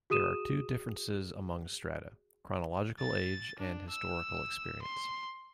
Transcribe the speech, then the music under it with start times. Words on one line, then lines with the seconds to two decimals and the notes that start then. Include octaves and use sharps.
There are two differences among strata: chronological age and historical experience.
0.10 F#4 G#4 D#6 D#7 E7
2.99 A6
3.59 D4
3.90 E6
4.82 C6